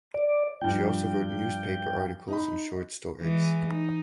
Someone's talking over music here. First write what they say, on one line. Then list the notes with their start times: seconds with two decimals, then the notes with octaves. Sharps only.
She also wrote newspaper articles and short stories.
0.14 D5
0.61 G2 F3 G5
2.28 D#4 D#5 B5
3.21 E3 G#3
3.68 D#4